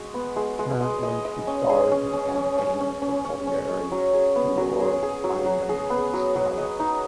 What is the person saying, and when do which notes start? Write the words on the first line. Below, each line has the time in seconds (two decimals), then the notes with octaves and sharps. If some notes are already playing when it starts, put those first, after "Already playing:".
Currently, she stars in campaigns for Bulgari, Dior, Lanvin and Escada.
Already playing: G#3 F#4 D#5
0.14 B3
0.36 G#3
0.59 G#3
0.81 D#5
1.03 D#5
1.25 D#5
1.47 C#4
1.69 G#4
1.91 C#4
2.13 C#4
2.35 C#4
2.58 C#4
2.81 C#4
3.02 C#4
3.25 C#4
3.47 C#4
3.69 D#5
3.92 F#3
4.13 G#4
4.36 B3
4.57 F#3
4.80 G#4
5.03 G#4
5.24 F#3
5.46 F#3
5.69 G#4
5.90 B3
6.13 F#3
6.36 F#3
6.58 D#5
6.80 D#4